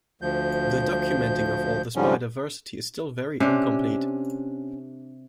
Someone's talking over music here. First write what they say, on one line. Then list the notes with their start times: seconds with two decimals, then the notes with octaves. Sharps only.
The documenting of all this biodiversity is still very incomplete.
0.22 D2 F3 G6
1.96 G#2 D3 F3 G3 C#4
3.40 C3 C#4 D4